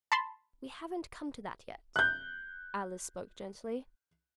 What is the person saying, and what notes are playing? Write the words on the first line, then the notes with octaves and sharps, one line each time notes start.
"We haven't come to that yet," Alice spoke gently.
A5 B5 C6
F#6 G6